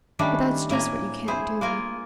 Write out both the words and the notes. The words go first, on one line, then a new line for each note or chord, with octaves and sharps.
But that's just what you can't do.'
D#3 G3 A3 C#4 D4
A2 A#3 G#5 A#5
E4 G#4 C5
A#3 F4 A#4 G#5